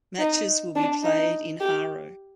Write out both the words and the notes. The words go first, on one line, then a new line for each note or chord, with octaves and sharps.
Matches will be played in Haro.
D#4
D4
D#4
G4